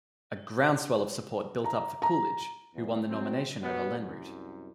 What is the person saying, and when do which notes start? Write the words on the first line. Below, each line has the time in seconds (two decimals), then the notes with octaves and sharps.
A groundswell of support built up for Coolidge, who won the nomination over Lenroot.
1.64 A#5
2.02 A#5
2.73 E2
3.08 F#3 C4
3.61 B2 F#3 G3 B3
3.99 C2 F#2